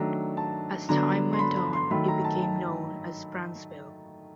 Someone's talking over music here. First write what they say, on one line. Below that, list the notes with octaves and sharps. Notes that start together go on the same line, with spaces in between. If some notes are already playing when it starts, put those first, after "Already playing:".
As time went on, it became known as Franceville.
Already playing: D#3 F#3 A3 D4 A#5
A5
D3 F#3 B3 D4 A#5
C6
B5
B5
C6
D#3 F#3 A3 B5
A#5
A5
A5